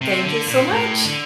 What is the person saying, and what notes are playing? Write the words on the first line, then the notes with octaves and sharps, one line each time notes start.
Thank you so much.
C3
D3
A#2
A2
D3